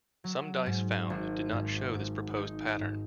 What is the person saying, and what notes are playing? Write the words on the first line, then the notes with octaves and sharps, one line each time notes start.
Some dice found did not show this proposed pattern.
F#3
G#2
G#1
G#2
G#2
D#4
G#2